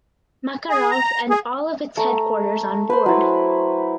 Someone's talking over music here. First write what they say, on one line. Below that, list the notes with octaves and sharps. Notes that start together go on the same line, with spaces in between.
Makarov and all of its headquarters on board.
G#4
A#5
G#4
A3 A#5
B4 C5 C6
F#3 E4